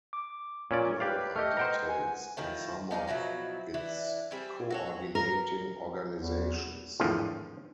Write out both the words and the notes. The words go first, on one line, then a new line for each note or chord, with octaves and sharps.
Below are details on some of its coordinating organizations.
D6
A#2 C#4 C#5 D5
G4 B4 D5 F5
A3 G4 D#5 F6 G6 C#7
B4 C5 F#5 G5 A#5
G#5
A2 D#3 F3
B3 D#4 D5 F5
B2 F3 F#3 E4
E3 D4
G3 C4 G#5
F#4 A4 C#5
A#4
E2
G#1 E2 A2 D3 F3